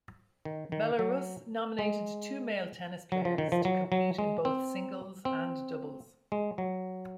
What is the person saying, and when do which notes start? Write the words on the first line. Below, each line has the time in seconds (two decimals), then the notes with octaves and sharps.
Belarus nominated two male tennis players to compete in both singles and doubles.
0.45 D#3
0.72 D#3
0.99 F#3
1.79 G#3
3.12 F#3
3.25 F3
3.38 D#3
3.52 F3
3.65 F#3
3.92 F#3
4.18 G#3
4.45 C4
5.25 C4
6.32 G#3
6.58 F#3